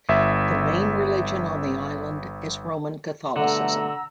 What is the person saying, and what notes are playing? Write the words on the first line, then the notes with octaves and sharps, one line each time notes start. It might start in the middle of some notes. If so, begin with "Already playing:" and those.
The main religion on the island is Roman Catholicism.
G1 E5
G2 B2 D3 A3 F#5 A#5 E6